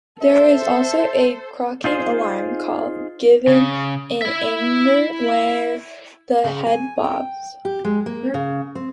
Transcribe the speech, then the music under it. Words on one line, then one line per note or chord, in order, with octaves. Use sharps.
There is also a croaking alarm call given in anger where the head bobs.
A4 C5 E5
D#4 F4 G#4 C5
C#3
E4 E5
C#3
G#5
G5
G4
G#3
A#3
C#3
C4